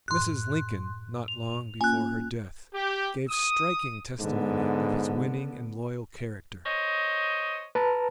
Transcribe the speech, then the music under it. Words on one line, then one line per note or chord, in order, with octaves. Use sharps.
Mrs. Lincoln, not long before her death, gave striking testimony of his winning and loyal character.
F#2 A2 C6 F#6
F7
A#3 C#4 F4 G#5 F#6
G4
D#6
G#2 D3 B3
C5 C#5 D#5
B4 A5 A#5